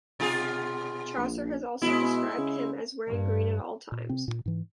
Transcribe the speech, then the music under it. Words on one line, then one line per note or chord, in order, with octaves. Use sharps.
Chaucer has also described him as wearing green at all times.
B2 F4 G#4
A#1
B2 G#3 E4
C#3
G2
A#2
C3 C4
A#2
G#2 E3